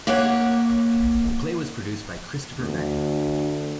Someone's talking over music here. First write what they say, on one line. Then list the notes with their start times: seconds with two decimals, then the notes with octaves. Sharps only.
The play was produced by Christopher Venning.
0.07 A#3 G4 C#5 F#5
2.58 D2